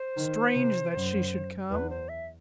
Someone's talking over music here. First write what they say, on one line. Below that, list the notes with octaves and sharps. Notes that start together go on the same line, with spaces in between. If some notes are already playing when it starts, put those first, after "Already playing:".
Strange that she should come!
Already playing: C5
D#3
C3
F#2
E2 B4
C5
E5